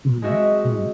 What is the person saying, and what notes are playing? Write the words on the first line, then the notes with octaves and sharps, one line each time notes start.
Mhm. Mhm.
G#3 C4 F#4 D#5 E5